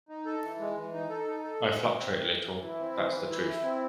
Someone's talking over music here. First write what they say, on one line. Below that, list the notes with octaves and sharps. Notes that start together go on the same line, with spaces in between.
I fluctuate a little; that's the truth.
D#4
A4
E3
G#3
E3
D#4
A4
D#4
A4
G#3
C4
C4
E3
E3
E3
E4
C4
E3
E3
E4
E4
C4